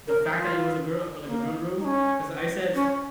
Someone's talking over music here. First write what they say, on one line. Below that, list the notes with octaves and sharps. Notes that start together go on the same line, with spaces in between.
the fact that it was a gir or, like, a girl in the room. 'Cause I said,
A#4
F4
A#3
D#4
C#4
C#4